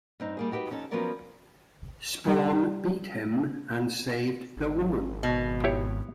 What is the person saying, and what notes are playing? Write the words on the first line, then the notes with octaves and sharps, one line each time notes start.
Spawn beat him and saved the woman.
G2 C4 D#4
G3 A#3 G#4
D#4 F#4 G4 A4 B4
F2 C#4 D#4 A4
F3 F#3 B3 C#4 A#4 D5
G3
G#1
B2
E4 G4 C#5